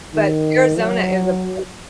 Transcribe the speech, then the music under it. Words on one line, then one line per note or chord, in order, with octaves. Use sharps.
but Arizona is a pla
D#3
F#3